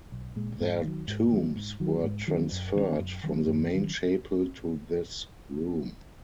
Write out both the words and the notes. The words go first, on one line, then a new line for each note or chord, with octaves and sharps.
Their tombs were transferred from the main chapel to this room.
B1
A#2 G#3
G#2
D#3 F#3
G#2
D#3 F#3
G#2
D#3 F#3
G#2
D#3 F#3
F#2
D#3 F#3 C#4
F#2
D#3 F#3 C#4
F#2
D#3 F#3 C#4